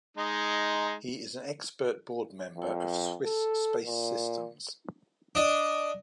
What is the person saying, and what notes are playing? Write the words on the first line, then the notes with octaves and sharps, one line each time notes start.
He is an expert board member of Swiss Space Systems.
G#3 D#4
F2
A4
A#2
D4 D#5